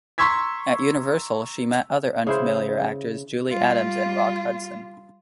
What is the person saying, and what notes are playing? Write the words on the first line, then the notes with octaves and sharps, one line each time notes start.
At Universal, she met other unfamiliar actors Julie Adams and Rock Hudson.
A#5 C6 C#6 E6 G#6 B6
C#3 E4 C5
G3 F4